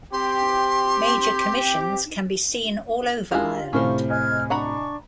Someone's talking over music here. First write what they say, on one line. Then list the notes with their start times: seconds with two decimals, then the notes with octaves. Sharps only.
Major commissions can be seen all over Ireland.
0.13 C4 G4 C6
3.31 G#3 D4 E4 F4 G4 A#4
3.73 A2 C3 C#4 A#4 C5 C#6
4.10 D#5 G#5 F6 F#6 G#6
4.50 D4 F#5 A#5 B5 C#6